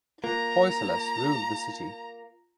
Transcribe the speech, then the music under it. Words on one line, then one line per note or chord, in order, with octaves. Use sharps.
Hoysalas ruled the city.
A#3 F4 A#5